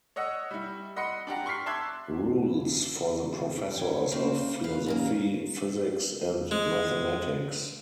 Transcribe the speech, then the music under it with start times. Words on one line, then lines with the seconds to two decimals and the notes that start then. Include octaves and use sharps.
Rules for the professors of philosophy, physics, and mathematics.
0.16 C#5 D#5 F#5 E6
0.51 G3 E4
0.96 D#5 F#5 B5 C6 C#7
1.27 D4 G4 F#5 A#5
1.46 C6 C#6 F6 B6 C7
1.66 E5 A5 C6 D6 F#6 G#6
3.77 C#5 G5
4.12 C#3 A#3 C5
4.64 B4 F5
4.86 A#2 C#3 A#3
6.51 G#3